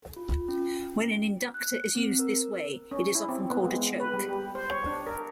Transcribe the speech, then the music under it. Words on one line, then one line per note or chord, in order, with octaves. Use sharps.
When an inductor is used this way it is often called a choke.
F4
C#4
F#6
C4
A#4
C#4
E4
C4
B3
G#3
B4
G3
G4
C5
C#5
D4
A#4